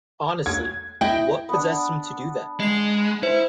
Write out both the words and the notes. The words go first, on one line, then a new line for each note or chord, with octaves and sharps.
Honestly! What possessed him to do that?
G#6
E4 D#5 G5
B3 D4
G#3 D#5 C7
E4 C5